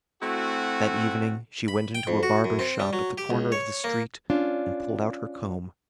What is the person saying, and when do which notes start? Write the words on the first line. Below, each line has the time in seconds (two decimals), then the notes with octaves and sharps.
That evening she went into a barber's shop at the corner of the street, and pulled out her comb.
0.22 A3 C4 E4 F#4
1.68 B5
1.95 G5
2.07 F2
2.23 F#4
2.44 F#2
2.59 C4
2.80 G3
2.93 F#3
3.18 G4
3.30 C#2
3.52 C#5
3.84 A#3
4.30 C#4 D4 F4